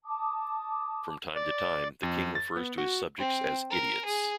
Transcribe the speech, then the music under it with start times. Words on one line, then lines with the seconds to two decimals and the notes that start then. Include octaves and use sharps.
From time to time, the king refers to his subjects as "Idiots".
0.04 A5 D6 D#6
1.35 D5
2.03 F2
2.35 A6
2.56 B3
2.78 F#4
3.18 C4
3.71 A#4
4.05 G#4